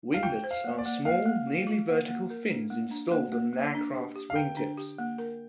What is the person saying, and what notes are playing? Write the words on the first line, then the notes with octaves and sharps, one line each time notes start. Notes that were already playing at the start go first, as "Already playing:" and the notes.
Winglets are small, nearly vertical fins installed on an aircraft's wing tips.
F5
F4 G5
C5
F5
A#3
D5
A#3
A#3 F5
A#3
F4
F4
A#3
A#3
A#4
D4
A#3
D4
A#3
A#3
A#3
D4
G4
G4
F5
D3 G5
D4
G4
A#3
A#4